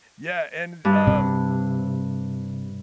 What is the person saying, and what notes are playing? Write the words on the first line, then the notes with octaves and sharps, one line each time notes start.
yeah, and, um
G2
C3